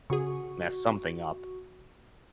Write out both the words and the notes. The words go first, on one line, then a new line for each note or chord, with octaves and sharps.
mess something up
C#3 F#4 G#4 C#6